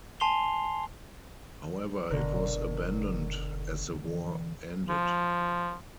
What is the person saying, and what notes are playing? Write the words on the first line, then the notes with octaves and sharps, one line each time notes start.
However it was abandoned as the war ended.
G#5 A5 C6 C7 F7 G7
F#1 B1 D3 A#4
E3
F3